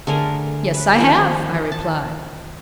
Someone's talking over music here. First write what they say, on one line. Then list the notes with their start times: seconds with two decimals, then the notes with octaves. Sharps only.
"Yes, I have," I replied.
0.07 D3 A3 G#4 A#4
0.74 B4
0.96 D#3 F3 C5
1.72 A5